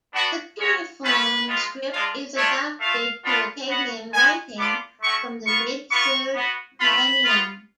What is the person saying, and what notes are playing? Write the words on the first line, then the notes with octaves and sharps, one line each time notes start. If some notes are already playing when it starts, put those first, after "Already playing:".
The cuneiform script is adapted to Akkadian writing from the mid third millennium.
B3 D4 F#4
G#3 C#4 F#4 C#5
A3 C#4 F4 B4
G#3 B3 F4
G#3 D4 F4
A3 D4 F4 C#5
A3 F4 F5
B3 D4 F4
B3 F#4 F#5
G#3 B3 F#4 G#5
B3 D4 F4 D6
A3 C#4 F#4 C#6
B3 F4 C#6
B3 F4 C#6
B3 F#4
A3 F4 B5
B3 F4